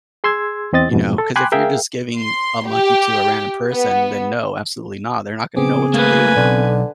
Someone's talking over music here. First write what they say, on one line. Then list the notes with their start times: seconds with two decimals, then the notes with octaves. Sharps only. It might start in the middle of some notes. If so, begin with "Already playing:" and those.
You know, 'cause if you're just giving a monkey to a random person, then no, absolutely not, they're not gonna know what to do,
0.24 G#4 C6 E6 G#6
0.73 E2 C4 D#5 A6
0.91 F2 G#2 B2
1.18 A4
1.36 G5 G#5 B5 C6 D6 F#6
1.52 G#4 A#4 E5 F5 G5
2.17 C6
2.66 G4
3.71 B3
5.57 C#3 B3 C4 G#4 D6
5.94 A3 A#3 B4 G#5
6.37 B1 D3